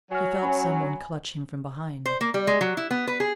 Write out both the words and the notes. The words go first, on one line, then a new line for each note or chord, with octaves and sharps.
He felt some one clutch him from behind.
F#3 G#5 F6
C#4 G#5 B5
C5
A#3
G3
G#3
F#3
E4
B3
B4
G#4